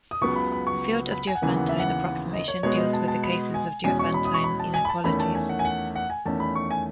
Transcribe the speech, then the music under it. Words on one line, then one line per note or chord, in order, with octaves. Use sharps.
The field of Diophantine approximation deals with the cases of "Diophantine inequalities".
D#6
C#2 C#3 F#3 B3 C#6
B5
B5
C#6
B5
G#5
F#5
D#2 C#3 E3 B3 G#5
F#5
E5
F#5
D#5
C#5
B2 G#3 B3 C#5
D#5
A5
A5
B5
G#5
E2 B2 G#3 C#4 G#5
C#6
B5
D#6
C#6
B5
A5
G#5
B5
A5
E2 D#3 A3 C#4 B5
A5
G#5
F#5
G#5
F#5
F#5
G#5
E2 D#3 A3 C#4 A5
B5
C#6
G#5